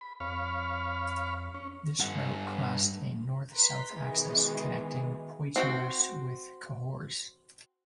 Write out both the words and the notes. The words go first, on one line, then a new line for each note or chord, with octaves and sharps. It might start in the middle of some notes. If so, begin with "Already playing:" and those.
This route crossed a north-south axis, connecting Poitiers with Cahors.
B5
F2 C#5 F5 B5
C#4
G2 F#5
B4 A#5 C6 B6
B2 D#3 E3 G#3 B3 G#4
C4 F#4 G5